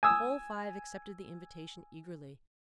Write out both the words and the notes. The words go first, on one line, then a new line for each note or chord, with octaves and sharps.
The whole five accepted the invitation eagerly.
G#5 D#6 E6